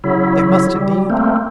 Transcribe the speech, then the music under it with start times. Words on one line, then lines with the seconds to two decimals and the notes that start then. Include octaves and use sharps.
It must indeed.
0.04 C#3 F#3 E4
0.76 G3
1.10 A3 A#3 C4